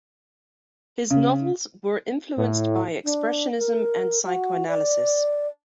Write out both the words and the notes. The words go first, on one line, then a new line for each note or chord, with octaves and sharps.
His novels were influenced by expressionism and psychoanalysis.
C#3
A2
D4
A#4
F#4
D5